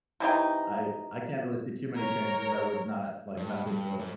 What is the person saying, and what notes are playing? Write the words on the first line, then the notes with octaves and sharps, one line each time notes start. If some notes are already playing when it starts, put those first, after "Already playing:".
I I can't really see too many changes that would not, like, mess with the
C3 E3 D#4 G5
A#4 C#5
G2
G2
G#2